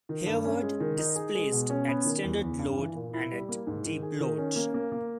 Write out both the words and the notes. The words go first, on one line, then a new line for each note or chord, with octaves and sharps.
"Hereward" displaced at standard load and at deep load.
D#3
G2
C#4
G#3
D#3
D#4
G#4
G#3
B2
C#4
B3
D#3
E2
E2
G2
E3
A#2
E4
G3
A#3
G#2
D#3
G#4
D#3
C#4
A#3
A#3
A#3